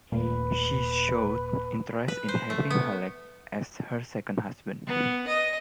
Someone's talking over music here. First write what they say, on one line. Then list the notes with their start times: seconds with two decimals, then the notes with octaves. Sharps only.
She showed interest in having Halleck as her second husband.
0.12 D#1 A#2 A3 A#3 B4
2.08 B4
2.28 C5
2.50 A3
2.70 B3
4.87 B3
5.28 D#5